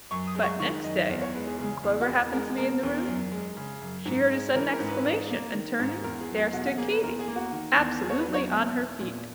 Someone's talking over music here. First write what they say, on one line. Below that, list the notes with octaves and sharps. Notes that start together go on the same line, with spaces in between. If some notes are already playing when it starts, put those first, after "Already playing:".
But next day, when Clover happened to be in the room, she heard a sudden exclamation, and turning, there stood Katy, absolutely on her feet.
F#2 C#6
D#6
G#3
C#6
D#3 C#6
F#2 D#5
E2
C#5
G#3 B4
G#4
C#3 G#4
E2
F#4
E2 G#4
G#3 A#4
B2 A#4
E2
F#2
G#3
C#3
F#2
G#2
G#3
E3 A#4
A#4
G#2
B4
G#2
A#3
D#3
G#2
E2 A#4
G#4
F#3
G#4
B2 F#4
G#4
F#4
A#3 G#4
B4
E2 A#4
G#4
A#3
F#4
D#3
E2
E2 G#4
C#5
B4
F#3
C#5
B2 E5
E2
A#2